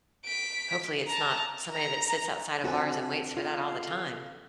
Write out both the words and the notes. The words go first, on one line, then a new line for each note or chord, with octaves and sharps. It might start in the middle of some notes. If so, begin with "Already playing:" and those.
Hopefully, it's not somebody that sits outside of bars and waits for that all the time
B6 D7
A5 A#5
A#5
F2 D3 F#4 G#5
F4 G#4 A4 F5